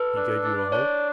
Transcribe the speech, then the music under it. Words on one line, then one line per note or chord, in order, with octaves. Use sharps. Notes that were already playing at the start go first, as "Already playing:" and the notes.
"He gave you a hope?"
Already playing: A4 B4
D4
D5
D4 C#5